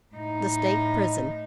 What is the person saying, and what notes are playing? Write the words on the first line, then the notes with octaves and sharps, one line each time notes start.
The State Prison.
A2 D#4